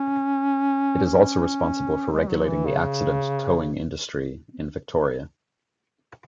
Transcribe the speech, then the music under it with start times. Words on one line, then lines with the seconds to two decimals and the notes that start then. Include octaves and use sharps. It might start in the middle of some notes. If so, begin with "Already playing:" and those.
It is also responsible for regulating the accident towing industry in Victoria.
Already playing: C#4
1.05 C#4
2.12 G#3
2.30 F#3
2.48 E3
2.66 C#3